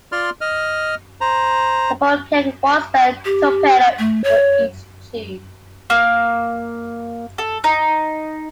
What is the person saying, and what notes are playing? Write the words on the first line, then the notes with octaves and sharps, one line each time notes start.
The boat carried one spare torpedo for each tube.
F4 D5 C6 F6
D#5 F6
C5 A#5
G4
A3
C#5
A#3
A4
D#4